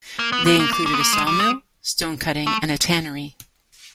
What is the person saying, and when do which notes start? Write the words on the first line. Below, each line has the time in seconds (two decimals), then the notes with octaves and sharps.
They included a saw mill, stone-cutting and a tannery.
0.19 A#3
0.32 B3
0.46 B3
0.59 A#3
0.73 A#3
0.86 A#3
0.93 B3
1.00 A#3
1.13 G#3
1.27 G3
1.40 G#3
2.47 A3